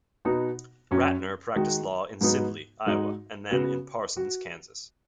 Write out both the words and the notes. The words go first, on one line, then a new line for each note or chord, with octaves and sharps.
Ratner practiced law in Sibley, Iowa, and then in Parsons, Kansas.
B2 B3 D#4 F#4
F#2 F#3 C#4 F#4
D#3 G#3 D#4 F#4
G#2 F#3 B3 D#4 F#4
G#2 G#3 D#4 F#4
C#3 B3 F#4
F#4